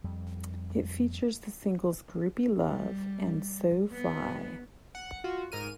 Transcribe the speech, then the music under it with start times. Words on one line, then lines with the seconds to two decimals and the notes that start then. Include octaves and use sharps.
It featured the singles, "Groupie Luv" and "So Fly".
0.04 F2 G3
2.69 G3
3.92 B3
4.95 F#5
5.24 F4 F#4
5.52 G#2 A#4 F6 D#7